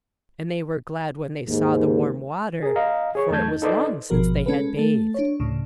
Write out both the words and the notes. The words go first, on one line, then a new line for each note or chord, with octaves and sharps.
And they were glad when they saw the warm water, for it was long since they had bathed.
D#2 G#2
G#4 A#4
D#5 F5 A#5
G#4 C#5 C#6
E2 F#3 A3 A5 G6 G#6
D#4
D#4 A4 B4 C5 D5 D#5
G#1 B2 F3 F#4 A#4
G#3 C#4 A4 B4
A3 A4
D4 C#5
D2 A2 C#3